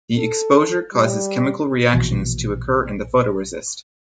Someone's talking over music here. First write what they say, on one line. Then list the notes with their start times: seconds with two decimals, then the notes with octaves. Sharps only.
The exposure causes chemical reactions to occur in the photoresist.
0.17 A4
0.93 G3
1.93 A#1 B2 E3